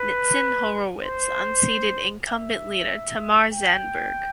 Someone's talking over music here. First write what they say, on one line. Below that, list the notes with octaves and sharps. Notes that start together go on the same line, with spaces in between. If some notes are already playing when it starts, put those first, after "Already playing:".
Nitzan Horowitz unseated incumbent leader Tamar Zandberg.
Already playing: B4
C5
E5
G5